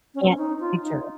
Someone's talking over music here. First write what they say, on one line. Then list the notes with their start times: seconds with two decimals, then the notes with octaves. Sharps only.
can't picture it.
0.15 C#4
0.23 C4
0.29 C#4
0.37 D#4
0.60 F4
0.82 D#4